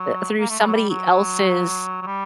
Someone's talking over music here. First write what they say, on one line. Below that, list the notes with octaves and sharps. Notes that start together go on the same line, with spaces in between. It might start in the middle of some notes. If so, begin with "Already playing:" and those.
uh, through somebody else's,
Already playing: F#3
A#3
A3
G3
F#3
G3
F#3
F#3
G3